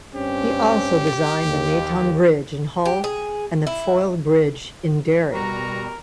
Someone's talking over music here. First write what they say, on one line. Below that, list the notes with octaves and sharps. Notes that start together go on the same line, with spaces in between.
He also designed the Myton bridge in Hull and the Foyle Bridge in Derry.
G2 C4 C#4 G4
D#2
G4
G#4
E4
B2 G3 F#4 A#4 A#5